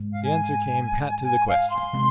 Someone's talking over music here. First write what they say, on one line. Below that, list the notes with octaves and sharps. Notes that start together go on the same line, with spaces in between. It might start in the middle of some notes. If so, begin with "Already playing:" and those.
The answer came pat to the question.
Already playing: G#2 G#3
F5
G#5
G#5
F5
C6
C3 G#3 C4